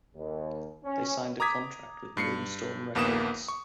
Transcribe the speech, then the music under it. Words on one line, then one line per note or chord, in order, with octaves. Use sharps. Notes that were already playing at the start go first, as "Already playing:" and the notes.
They signed a contract with Moonstorm Records.
D#2
C#4
A#5 D6 D#6 G#6 B6
G2 C7 C#7
A#1 D#2 A#3 B3 D#6 E7
C#6